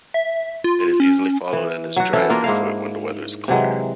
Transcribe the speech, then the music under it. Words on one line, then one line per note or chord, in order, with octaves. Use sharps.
It is easily followed, and is dry underfoot when the weather is clear.
E5
F4
C#4
E3
F#3 F#4
E3 C#4 E4 A4
A#3 D4 F4 A#4
G#2 E4 F5
C3 E3 F#3 G#3